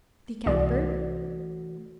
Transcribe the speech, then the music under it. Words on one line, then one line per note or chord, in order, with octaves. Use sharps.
The Cat-bird.
C2 E3 A3 F#4 D5